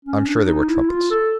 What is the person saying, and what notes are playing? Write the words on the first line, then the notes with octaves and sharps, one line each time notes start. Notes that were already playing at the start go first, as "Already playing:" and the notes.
I'm sure they were trumpets.
C#4
D4
D#4
E4
F4
A4